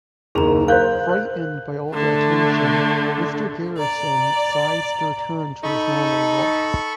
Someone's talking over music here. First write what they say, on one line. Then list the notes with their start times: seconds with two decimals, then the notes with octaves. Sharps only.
Frightened by all the attention, Mr. Garrison decides to return to his normal looks.
0.35 F#1 D#2 G#4 A#5 F7
0.68 A#4 C5 F5 F#6 G6
1.09 F#6
1.92 D3 A3
3.79 D5 A#5
5.64 D#4 A4 B5 C#6